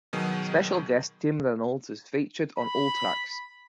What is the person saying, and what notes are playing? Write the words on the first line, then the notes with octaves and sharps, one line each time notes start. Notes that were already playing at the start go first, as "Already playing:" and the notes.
Special guest Tim Reynolds is featured on all tracks.
B2 D#3 F#3 G#4
B5